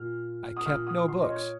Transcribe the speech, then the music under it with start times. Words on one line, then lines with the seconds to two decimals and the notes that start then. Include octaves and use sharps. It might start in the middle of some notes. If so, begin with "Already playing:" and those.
I kept no books.
Already playing: A#2 F6
0.57 D#6
0.66 A#2 F6
0.87 D#6
1.08 C6
1.21 D#5
1.29 C#5